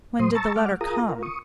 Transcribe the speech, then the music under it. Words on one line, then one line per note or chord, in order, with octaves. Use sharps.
When did the letter come?'
A#2 F#3 C5 C6 D#6
A5 A#5 C#6 E6 A6
G#3 F#5 D6 F6
F4 G#4 A#4 A#5 D#6
F4 A#4
C#6 D#6